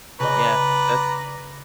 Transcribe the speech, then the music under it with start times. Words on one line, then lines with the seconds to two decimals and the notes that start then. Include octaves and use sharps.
Yeah. That's
0.20 C#3 B4 D5 D#5 A#5